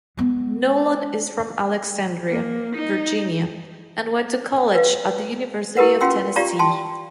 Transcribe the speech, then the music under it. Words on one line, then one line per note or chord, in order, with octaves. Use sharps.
Nolan is from Alexandria, Virginia and went to college at the University of Tennessee.
G#3 B3
A#3
D#4
B4 F5
E4 G4 A#4 B4 F#5
C#4 F4 F#5 G5 C6 E6
F4 G4 D5 F5 A#5 C#6
G5 A5 C6